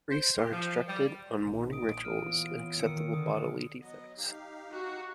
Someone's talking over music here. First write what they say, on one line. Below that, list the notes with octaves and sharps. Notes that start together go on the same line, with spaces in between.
Priests are instructed on mourning rituals and acceptable bodily defects.
C5
G4
F3
G3
A#1 G2 C3 D#3
D#6 D7
E3 B3 F4 C#5 F6 D7 D#7
D#3 E6 C#7 D#7
D3 D#6
F#3 B3 D#5
D#4 G4 F5
F#4